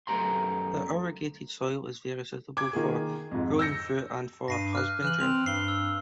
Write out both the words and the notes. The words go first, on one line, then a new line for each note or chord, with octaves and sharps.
The irrigated soil is very suitable for growing fruit and for husbandry.
F#2 A3 B3 G4 A#5 C6
D6 G#6
D#3 A#3 G#4
F2 G#2
E6 G6 A#6 C#7
G2 A#6 C7 D#7
D6 F6 F#6
E3 F6 F#6 F#7
C4 F7
G2 C7 G7
E6